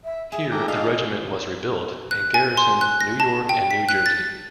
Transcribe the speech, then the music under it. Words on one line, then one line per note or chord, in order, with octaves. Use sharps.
Here, the regiment was rebuilt and garrisoned New York and New Jersey.
E5
G#4 E5
G4 A4 A#5 D6
D#4 F4 E5 F5
F#6
G#5
C6
F#6
A#6
A5
G5
B6
F#6
A6